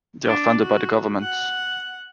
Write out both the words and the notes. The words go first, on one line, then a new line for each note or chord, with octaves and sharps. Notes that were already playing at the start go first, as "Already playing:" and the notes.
They are funded by the government.
D4
F#4
F#5